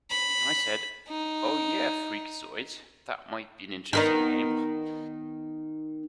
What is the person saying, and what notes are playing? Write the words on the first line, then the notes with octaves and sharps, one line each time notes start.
I said 'Oh, yeah, 'Freakazoid', that might be an interesting name.
B5
D#4
D#3 B3 D#4